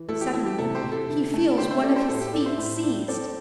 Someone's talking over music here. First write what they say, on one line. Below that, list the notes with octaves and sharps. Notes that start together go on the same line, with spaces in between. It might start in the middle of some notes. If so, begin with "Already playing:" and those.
Suddenly he feels one of his feet seized.
Already playing: E3
A3 E4 A4
G4
A3 E4
G4
C3 E4 A4
G4 C5
C3
E4 A4
D3
A3
D3 G4 C5
C5 E5
D4 A4 D5
G4 C5
A2 E4 A4
G4
D4 A4 D5
C5 E5
A2
D4
C4 A4 D5